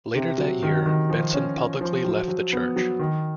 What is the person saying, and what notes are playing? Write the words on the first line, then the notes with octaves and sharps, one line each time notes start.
Later that year, Benson publicly left the church.
C3
F#3
D#3
D#3
F3
C#4
F3
F3
F#3
F#3
B3
F#3
D#3